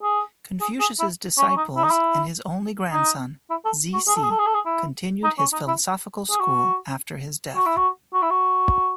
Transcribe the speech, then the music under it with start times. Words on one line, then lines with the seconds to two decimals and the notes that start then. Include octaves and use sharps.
Confucius's disciples and his only grandson, Zisi, continued his philosophical school after his death.
0.03 G#4
0.61 G#4
0.80 G#4
1.00 E4
1.38 C#4
1.48 C#4
1.57 D#4
1.76 E4
1.84 D#4
1.91 E4
2.92 D#4
3.50 E4
3.65 A4
3.93 F#4
4.08 G#4
4.16 A4
4.23 G#4
4.31 A4
4.39 G#4
4.47 A4
4.54 G#4
4.66 E4
5.24 D#4
5.39 C#4
5.53 D#4
5.68 E4
6.31 G#4
6.40 F#4
7.56 F#4
7.66 E4
7.77 F#4
8.13 F#4
8.22 E4
8.30 F#4